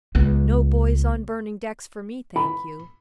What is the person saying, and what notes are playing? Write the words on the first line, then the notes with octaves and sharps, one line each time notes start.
'No boys on burning decks for me, thank you.'
C#2 B3
B5